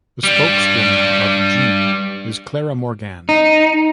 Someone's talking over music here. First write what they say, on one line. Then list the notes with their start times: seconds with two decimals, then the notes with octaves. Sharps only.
The spokeswoman of Gini is Clara Morgane.
0.23 G3 D4
3.29 D#4